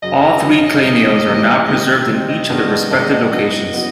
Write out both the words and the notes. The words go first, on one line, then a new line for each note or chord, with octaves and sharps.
All three clay nails are now preserved in each of their respected locations.
F#2 C#3 F#3 D#5
F#2 C#3 F#3
E3 G3 A#3 D#5
E3 G3 A#3
C3 D#3 G3 C4 D#4 D#5
C3 D#3 G3 C4 D#4
D#5
G2 D#3 G#3 B3 D4 D#5
G2 D#3 G#3 B3 D4
F#3 B3 E4 D#5
F#3 B3 E4